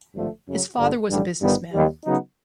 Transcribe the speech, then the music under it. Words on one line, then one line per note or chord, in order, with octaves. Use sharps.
His father was a businessman.
G#1 G2 D3 F3 A3
F#2 C#3 F#3
G1 G2 D3
A1 G2 D3 G3
G1 G2 D#3 G3 B3
D#2 D#3 G3
C#3 F#3 B3 D#4